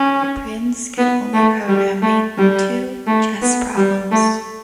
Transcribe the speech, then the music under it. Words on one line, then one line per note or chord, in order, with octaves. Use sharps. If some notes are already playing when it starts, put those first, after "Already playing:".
Prinz could only program mate-in-two chess problems.
Already playing: C#4
B3
A3
G3
A3
G3
A3
B3
G3
A3